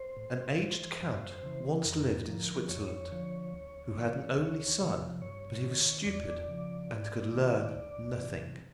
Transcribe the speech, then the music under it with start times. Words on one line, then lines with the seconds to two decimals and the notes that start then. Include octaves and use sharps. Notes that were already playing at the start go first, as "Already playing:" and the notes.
An aged count once lived in Switzerland, who had an only son, but he was stupid, and could learn nothing.
Already playing: C5
0.17 A2
0.59 E3
1.00 F#2
1.43 C#3 E3
1.85 F2 A#4
2.27 D3 F3
2.69 F2 C#5
3.11 D3 F3
3.54 D2
3.95 C#3 E3
4.37 D2
4.80 C3 F3
5.22 G2 C#5
5.64 D#3
6.06 E2 D5
6.48 C#3 F3
6.90 G#2
7.33 D#3
7.74 D2
8.16 C3 E3